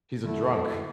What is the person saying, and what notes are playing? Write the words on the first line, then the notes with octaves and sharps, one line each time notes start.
He's a drunk.
D3 A3 E4